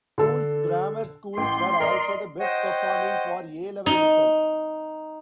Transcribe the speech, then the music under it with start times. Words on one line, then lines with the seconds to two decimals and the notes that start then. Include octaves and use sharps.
Poole's grammar schools were also the best performing for A-level results.
0.18 D3 A4
1.37 A1 G5 C6
1.80 A#4 D5 D#5
2.38 F#4 C5 C#5 D#5 F#5 G5
3.86 D#4